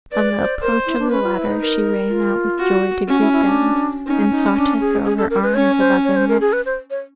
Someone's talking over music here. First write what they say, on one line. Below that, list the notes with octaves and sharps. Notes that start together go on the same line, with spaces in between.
On the approach of the latter, she ran out with joy to greet them, and sought to throw her arms about their necks.
B4 D5
C5
A#4 C5
E4
D4
C#4 B4
F4
E4
D#4
A#4
F4
F#4
C#4 F#4
E4
E4
D4
C#4 D#4
D#4
D4
G#4
G#4
A4
A#4
B4
C#4 C#5
C5
C#5
C5
A#4
G#4
B4
C5
C#5